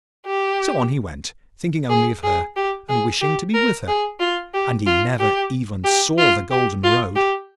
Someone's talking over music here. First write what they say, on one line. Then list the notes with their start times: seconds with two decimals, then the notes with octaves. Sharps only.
So on he went, thinking only of her, and wishing to be with her; and he never even saw the golden road.
0.25 G4
1.90 G#4
2.23 G#4
2.56 G4
2.89 G#4
3.21 G4
3.54 A#4
3.88 G#4
4.20 F4
4.54 G4
4.86 F4
5.19 G4
5.84 G4
6.18 F4
6.51 G4
6.84 F4
7.16 G4